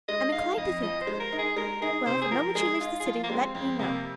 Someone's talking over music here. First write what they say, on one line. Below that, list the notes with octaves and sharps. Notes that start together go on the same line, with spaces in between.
I am inclined to think--well, the moment she leaves the city let me know.
G#3 D#5
D#4 F5
F2 D#5
F3 D#5
C5
G#3
A#4
D#4
G#4
G#3 A#4
D#4 G#4
C3 C5
G#4
F3 A#4
G#3 G#4
D#4 F4
G#4
F3 F4
A#3
G#3 C4
F2 C4
C3 A#3